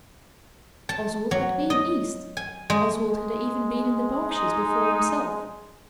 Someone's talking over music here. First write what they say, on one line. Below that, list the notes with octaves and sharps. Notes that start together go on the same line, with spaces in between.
Oswald had been east, Oswald had even been in the Berkshires before himself.
A5
F#3
D#5
G#5
G#3
G#3
D#4